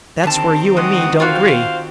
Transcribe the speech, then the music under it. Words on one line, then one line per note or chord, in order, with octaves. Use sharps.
That's where you and me don't agree!
D3 D#3 C4 G4 A5
G#3 F#4 F#5 D#6
F4 F#4 C5 F5